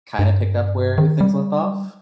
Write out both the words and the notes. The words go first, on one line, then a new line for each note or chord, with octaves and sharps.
kinda picked up where things left off?
G2
D#3
G3